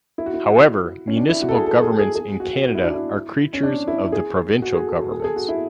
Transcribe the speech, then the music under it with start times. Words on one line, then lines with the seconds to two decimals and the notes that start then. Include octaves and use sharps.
However, municipal governments in Canada are creatures of the provincial governments.
0.18 E4
0.26 F#4
0.34 E4
1.08 C#4
1.17 D4
1.29 E4
1.41 F#4
1.49 A4
1.54 G#4
1.66 A4
1.82 G#4
1.99 G#4
2.15 G#4
2.40 F#4
2.65 F#4
2.75 E4
2.84 D4
2.94 E4
3.53 C#4
3.63 D4
3.88 E4
4.12 G#4
4.62 F#4
4.74 G#4
4.87 A4
4.99 F#4
5.11 G#4
5.20 A4
5.24 G#4
5.36 F#4
5.49 E4